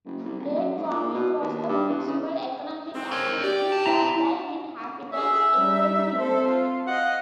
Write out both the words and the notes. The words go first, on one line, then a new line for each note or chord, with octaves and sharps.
Date farming was the principal economic activity that the inhabitants engaged in.
F#1
C2
D#1
F#2
G#2
A#2
B2
D#2
G2
E2
C#3
E3 G#3 C4
A#4 C#5
G4 D5
B2 A5
E4 A#5
G#4 E5
G3 D#4
C4 A4 C5
F4
D#5 F5 F#5